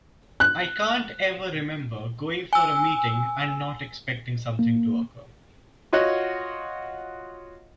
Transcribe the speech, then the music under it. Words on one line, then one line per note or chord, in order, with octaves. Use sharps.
I can't ever remember going for a meeting and not expecting something to occur.
F#6
G#5 E6
A#3
F4 F#4 C#5 D#5 F#5